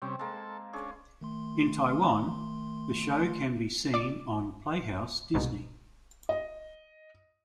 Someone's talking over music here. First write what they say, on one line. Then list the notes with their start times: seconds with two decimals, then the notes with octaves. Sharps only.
In Taiwan, the show can be seen on Playhouse Disney.
0.02 C3 G3 C4 C#4
0.19 G#3 A#3 A4
0.73 C#4 D4 G#4
1.21 D#3 A3 C6
3.94 D5 D6
5.34 C2 G#2 B2
6.29 D#5